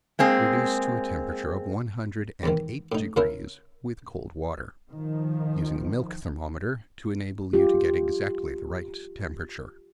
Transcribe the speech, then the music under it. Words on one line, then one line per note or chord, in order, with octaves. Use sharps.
Reduce to a temperature of one hundred and eight degrees with cold water, using a milk thermometer to enable you to get exactly the right temperature.
G#3 A#3 C4 G#4
E2 G#2 D#3
A2 D#4
C#3 A#3 C#4 E4 A#4
D#3 F3
F4 G4